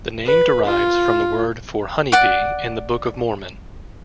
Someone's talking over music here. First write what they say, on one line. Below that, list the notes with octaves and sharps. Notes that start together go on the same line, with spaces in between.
The name derives from the word for "honeybee" in the Book of Mormon.
B4
F4
D5 F#5 D6